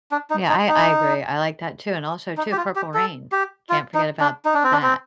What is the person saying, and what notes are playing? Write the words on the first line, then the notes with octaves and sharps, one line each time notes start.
Yeah, I I agree. I like that too, and also too, Purple Rain, can't forget about that.
D4
D#4
D#4
D#4
D#4
G4
F4
G4
A4
G4
F4
D#4
D4
D#4
D4
C4
D4
C4